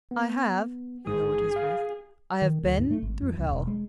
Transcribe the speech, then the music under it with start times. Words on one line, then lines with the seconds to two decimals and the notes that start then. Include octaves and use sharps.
"I have"--he lowered his voice--"I have been through hell."
0.11 B3
1.07 A1 G#2 G#4 D#6
1.56 F5
2.42 D#3
2.63 D2
2.78 G#2
2.91 A3
3.02 G#1
3.22 F2
3.39 C2
3.51 E1
3.67 G#3